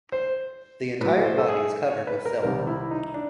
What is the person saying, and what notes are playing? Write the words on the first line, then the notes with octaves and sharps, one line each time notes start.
The entire body is covered with silk.
C5
A2 F#3 B4
C5
A4
G#4
C#5
B4
A#4
C2 C3 D#3 G3 A#4
E4
D#4
D4